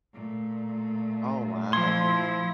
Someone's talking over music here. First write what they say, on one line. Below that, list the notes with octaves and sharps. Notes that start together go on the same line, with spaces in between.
Oh, wow.
A#2 A3
F3 E4 C6 G#6